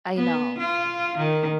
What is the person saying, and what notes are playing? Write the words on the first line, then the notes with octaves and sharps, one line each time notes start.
I know.
B3
F4
D#3